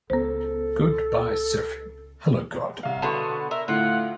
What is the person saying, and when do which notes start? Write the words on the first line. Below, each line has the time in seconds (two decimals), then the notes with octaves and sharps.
Goodbye Surfing, Hello God!
0.10 C#2 B3 A4 C5
2.83 C2 F5
3.02 B2 D3 B3 A5 C6 C#6
3.51 A#4 E5
3.68 D2 A2 F4 F#5